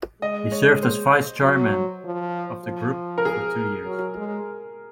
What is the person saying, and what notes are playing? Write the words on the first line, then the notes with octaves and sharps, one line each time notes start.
He served as vice-chairman of the group for two years.
G#3 D#5
C#5
C5
F#3
F3
F3
A#4
G#4
F#3
G#3